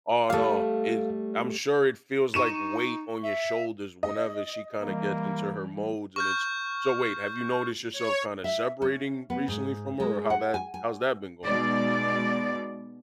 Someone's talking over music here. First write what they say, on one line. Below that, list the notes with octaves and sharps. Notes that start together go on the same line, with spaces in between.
Aw, no, it I'm sure it feels like weight on your shoulders whenever she kinda gets into her modes and it's so wait, have you noticed yourself kinda separating recently from her or how that how's that been going?
G3 A3 A4 F5
D#4 C#6 D#7 E7
E5
D#5
E3 G3 A#3
C#6 F6 G6
C#5
E5
C#4
B3
G#2
G#3
F#5
G#5
G#5
B2 G#3 D#4 D5